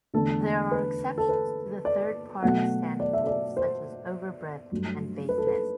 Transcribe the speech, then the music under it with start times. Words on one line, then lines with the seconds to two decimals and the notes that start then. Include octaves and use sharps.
There are exceptions to the Third Party Standing rule, such as overbreadth and vagueness.
0.14 E2 D3 A3 A4
0.71 B4
1.18 A4
1.29 B4
1.85 D5
2.43 B2 F#3 A3 F#5
3.00 D5
3.13 E5
3.27 D5
3.57 C5
4.72 G2 F#3 A3
5.29 B4
5.38 A4
5.47 B4